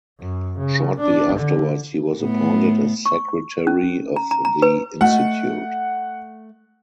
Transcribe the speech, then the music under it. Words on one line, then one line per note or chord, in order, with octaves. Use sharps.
Shortly afterwards he was appointed as secretary of the institute.
F#2
C#3
D4
D3
A2 B3
C#6
C#4
A#5
A#5
A#5
B4
A3 D#5 F#5